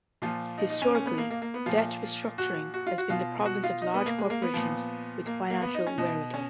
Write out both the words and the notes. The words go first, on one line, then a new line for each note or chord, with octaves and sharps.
Historically, debt restructuring has been the province of large corporations with financial wherewithal.
A#2 F3 F4
D#4
D#4
C#4
C#4
B3
A#3
A#3
A#3
B3
A#2 F3 F4
F#4
F#4
F4
F#4
B2 F4
F#4
F4
D#4
B3
A#3
G#3
A#3
B3
A#2 F3
A#3
A#3
B3
D#4
C#4
B2 D#4
C#4